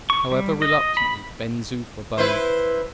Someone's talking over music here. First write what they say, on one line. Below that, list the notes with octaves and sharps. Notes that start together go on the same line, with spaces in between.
However reluctantly, Ben Zoof obeyed.
C#6
G3
D#5
B5
E4 B4 C5